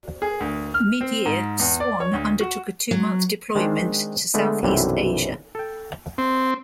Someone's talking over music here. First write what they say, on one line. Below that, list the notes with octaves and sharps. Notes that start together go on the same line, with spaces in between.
Mid-year, "Swan" undertook a two-month deployment to South East Asia.
G#4
D2
F6
C4
G#2
E2
D5
C#5
D2
F#4
F#3
D#3 G#3 C4 D4 C5
D3 G#3 A3 B3
B1 F#2 C3 E3 G3
A4 G5
C4